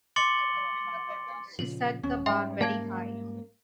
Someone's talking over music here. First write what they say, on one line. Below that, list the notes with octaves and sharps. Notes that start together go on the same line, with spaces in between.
She set the bar very high.
C6 D6 A6 C#7 F#7 G7
A#2 C#3 F3 F#7
D#1 D#2 C#4
G#2 G3 E5 G5 C6
A#3 F5 A5 G#6